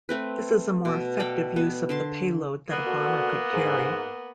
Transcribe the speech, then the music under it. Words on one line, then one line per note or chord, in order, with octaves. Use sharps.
This is a more effective use of the payload that a bomber could carry.
A3 C4 B4
B2
A4 D5 F5 G5
B3
D3 A5 C6
A#3 B3
D3 F#4
G#2